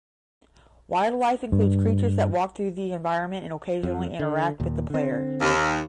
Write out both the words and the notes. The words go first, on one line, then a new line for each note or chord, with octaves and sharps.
Wildlife includes creatures that walk through the environment and occasionally interact with the player.
G2
F2
D3
D#2 A#2
D3 C4
D#2